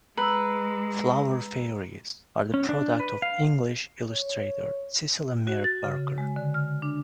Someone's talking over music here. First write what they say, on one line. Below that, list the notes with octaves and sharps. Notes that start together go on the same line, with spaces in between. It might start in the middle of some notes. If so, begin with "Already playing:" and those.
Flower Fairies are the product of English illustrator Cicely Mary Barker.
G#3 B4 A#5 B5 E6
C#4
D4
B4
F5
C#5
F#4
A6
C#3
G#3
D3
F6
D4